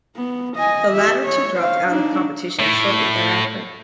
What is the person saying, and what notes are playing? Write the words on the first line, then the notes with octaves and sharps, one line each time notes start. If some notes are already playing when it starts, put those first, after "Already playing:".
The latter two dropped out of competition shortly thereafter.
B3
D#5 G#5
G4 E5
C#5
C5 F5
D4 D#4
A2